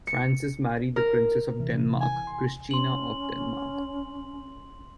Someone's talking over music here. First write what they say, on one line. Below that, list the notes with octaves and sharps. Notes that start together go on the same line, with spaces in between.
Francis married the princess of Denmark, Christina of Denmark.
C#7
A#4
C3 E3
G#5
C6
C#4 C6 F#7